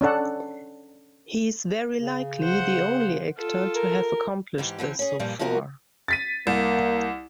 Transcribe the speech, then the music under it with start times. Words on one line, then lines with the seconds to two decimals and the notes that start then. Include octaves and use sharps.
He is very likely the only actor to have accomplished this, so far.
0.01 C#4 D4 A4 F#5
2.00 C#3
2.41 C5 F#5
3.38 F4 A4
3.75 A#4
4.58 G#2 E3 G4
4.79 D3 E3 C4
4.99 C#4 G#4
5.19 G2 A#2 F3 G3
5.39 F3 A#3 B3 F#4 A#4
6.08 A6 B6 D#7
6.47 C2 A#3